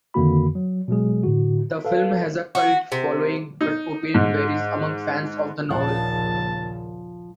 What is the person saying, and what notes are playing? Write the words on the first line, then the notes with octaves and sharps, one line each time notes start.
The film has a cult following but opinion varies among fans of the novel.
F2 D3 D#3 A#3 F#4 B5
F#3
B2 F#3 G#3 G#4
A2 D3 F#4
A4 B4 F5
F#4
C3
D#4
G#2
A#1 D#2 C#3 F3 D5 F#5 A5